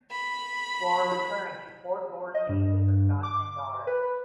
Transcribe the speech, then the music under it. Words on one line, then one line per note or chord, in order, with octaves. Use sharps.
Flora returned to Port Moresby with her son and daughter.
B5
D#5
G2
D6
B4